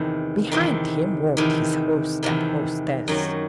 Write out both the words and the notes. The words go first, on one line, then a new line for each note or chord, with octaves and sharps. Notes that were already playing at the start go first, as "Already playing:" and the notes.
Behind him walked his host and hostess.
Already playing: E2 C3 D#3
E2 C3 D#3
E2 C3 D#3
E2 C3 D#3
F#2 D#3 F#3